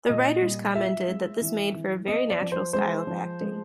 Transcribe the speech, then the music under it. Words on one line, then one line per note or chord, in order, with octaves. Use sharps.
The writers commented that this made for a very natural style of acting.
A#2 D#5
G3
F4 E5
G#3
E3
E3
B3 D#5
D5
F3
C5
G#3 C5
F3
G#3